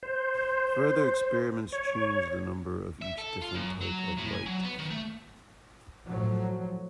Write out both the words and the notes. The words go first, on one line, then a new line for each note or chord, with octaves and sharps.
Further experiments changed the number of each different type of light.
C5
C#5
E5
A4
F4
F#2
F#3
A2
G#5
F#3
B3
D#3
A3
A2 F3 F#3